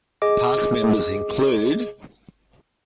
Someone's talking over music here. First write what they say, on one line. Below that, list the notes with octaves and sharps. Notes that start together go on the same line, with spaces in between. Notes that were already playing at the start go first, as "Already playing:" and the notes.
Past members include...
G#4 D#5 D6